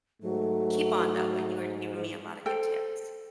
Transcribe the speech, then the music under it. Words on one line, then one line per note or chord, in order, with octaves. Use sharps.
keep on, though, but you were giving me a lotta good tips.
G#2 F#3 A3
A4 C5 G5